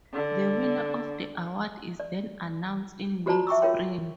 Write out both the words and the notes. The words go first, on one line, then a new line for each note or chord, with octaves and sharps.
The winner of the award is then announced in late spring.
D3
D5
F4 F#4 C5 D5 A5 A#5
E5 G5 C#6 D6 E6
F4 A#4 C#5 G5 C6